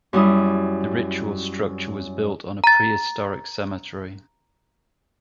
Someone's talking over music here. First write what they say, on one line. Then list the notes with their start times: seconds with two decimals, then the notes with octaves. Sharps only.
The ritual structure was built on a prehistoric cemetery.
0.13 F#2 G3 E4 D#6
2.64 A#5 A6